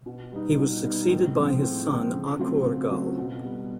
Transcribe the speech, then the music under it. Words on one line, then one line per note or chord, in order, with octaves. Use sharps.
He was succeeded by his son Akurgal.
B2
G3 B3 D#4
B2
G3 B3 D#4
A2
F3 G#3 C4
A2
F3 G#3 C4
C#3
F#3 A3 C4 F4
C#3
F#3 A3 C4 F4
B2
G3 B3